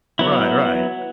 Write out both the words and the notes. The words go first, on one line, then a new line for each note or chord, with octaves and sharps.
Right, right.
F#3 B3 E4